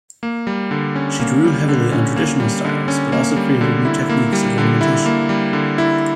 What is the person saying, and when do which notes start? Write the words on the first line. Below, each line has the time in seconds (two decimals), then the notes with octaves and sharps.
She drew heavily on traditional styles, but also created new techniques of ornamentation.
0.23 A#3
0.47 G3
0.71 D3
0.96 C#4
1.20 A#3
1.44 G3
1.69 D3
1.92 C#4
2.16 A#3
2.40 G3
2.65 D3
2.88 C#4
3.12 A#3
3.36 G3
3.61 D3
3.85 E4
4.09 A#3
4.33 G3
4.58 D3
4.81 E4
5.06 A#3
5.29 G3
5.53 D3
5.78 E4